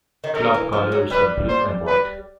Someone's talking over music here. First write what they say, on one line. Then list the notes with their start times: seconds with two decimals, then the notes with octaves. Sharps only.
Club colours are blue and white.
0.24 D#3
0.35 D3 A#4
0.54 E3
0.73 F3
0.92 F#3
1.10 G3 B4
1.49 C5
1.87 B4